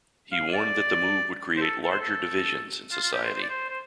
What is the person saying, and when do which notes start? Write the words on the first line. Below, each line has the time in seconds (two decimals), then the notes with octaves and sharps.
He warned that the move would create "larger divisions" in society.
0.32 F5
0.53 D5
1.57 C5
1.61 A4
1.83 A4
1.91 C5
2.00 A4
2.91 F4
3.03 F4
3.13 G4
3.24 C5
3.34 C5
3.42 D5
3.49 C5
3.69 C5